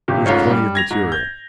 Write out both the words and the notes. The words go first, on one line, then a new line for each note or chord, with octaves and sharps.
There is plenty of material.
G#1 G2 C3 G4
F#1 G#2 A3 C#4 F4 C#5
G3
G#6 A#6 F7
G#2
G6